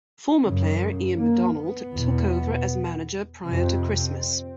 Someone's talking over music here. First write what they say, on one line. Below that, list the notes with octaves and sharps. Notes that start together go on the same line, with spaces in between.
Former player Ian MaDonald took over as manager prior to Christmas.
F#2 C#3
A#3
B3
E2 B2
F2 C3 C4